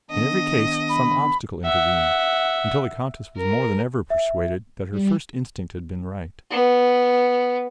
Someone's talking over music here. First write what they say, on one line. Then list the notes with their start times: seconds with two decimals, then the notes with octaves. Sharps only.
In every case some obstacle intervened, until the Countess was more than ever persuaded that her first instinct had been right.
0.10 D#3 B3 D4 D#5
0.89 B5
1.65 E5 F#5
3.37 A#4
4.10 E5
4.91 G3
6.50 B3